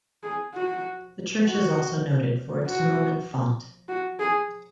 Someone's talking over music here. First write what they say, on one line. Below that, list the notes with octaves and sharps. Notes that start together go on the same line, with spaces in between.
The church is also noted for its Norman font.
G#4
F#4
F#4
F#4
F#4
G#4